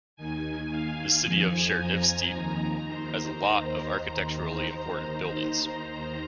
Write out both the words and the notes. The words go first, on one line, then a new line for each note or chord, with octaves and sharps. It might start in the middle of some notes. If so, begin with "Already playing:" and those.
The city of Chernivtsi has a lot of architecturally important buildings.
D#2 D#3 G#5
F5
F2 F3 G#5
A#5
D#2 D#3 A#5
C5